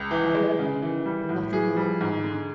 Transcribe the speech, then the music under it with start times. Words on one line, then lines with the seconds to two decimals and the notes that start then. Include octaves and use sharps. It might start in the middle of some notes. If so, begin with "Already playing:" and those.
I heard no more, and nothing more I know.
Already playing: C#2
0.11 E3
0.35 G#3
0.59 C#3
0.82 E3
1.06 G3
1.29 A2
1.53 E3 G#4
1.76 G3
2.01 G#2
2.24 D3